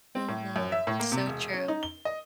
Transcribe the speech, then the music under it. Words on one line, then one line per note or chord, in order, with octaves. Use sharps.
Mhm, so true.
C4
A2
F#2
E5
A2
A#3
C3
E1
C#4
D#4
G7
D#5